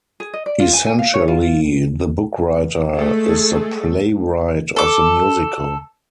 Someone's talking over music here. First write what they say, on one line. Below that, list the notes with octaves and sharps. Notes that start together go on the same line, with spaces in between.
Essentially, the bookwriter is the playwright of the musical.
G#4
D#5
D5
F4
G#5
G#5
F5
C#5
F4
F4
G#3 A3 G#4 A4
A4 D6